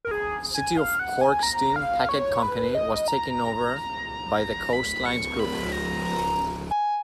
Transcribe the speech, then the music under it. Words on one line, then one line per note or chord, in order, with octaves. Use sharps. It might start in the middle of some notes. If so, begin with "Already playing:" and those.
City of Cork Steam Packet Company, was taken over by the Coast Lines group.
A#4
G#4
G#5
F5
F#5
G#5
A#5
F5
C#5
B4
D#5
A#5
B5
C#6
B5
A#5
A#5
G#5